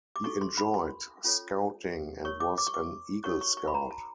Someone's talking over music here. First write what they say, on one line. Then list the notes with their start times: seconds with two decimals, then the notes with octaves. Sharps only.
He enjoyed Scouting and was an Eagle Scout.
0.16 D6
0.24 D#4 F#4 A4 C#6
0.41 C6
0.58 B5
0.74 C6
1.24 C#4 F4 A4 C#5
2.24 F4 A#4 C#5 C#6
2.40 D6
2.58 D6
2.67 C#6
2.74 D6
3.24 D#4 F#4 A#4 C#5 C#6
3.41 C#6
3.57 C#6
3.67 B5
3.74 A#5
3.91 A5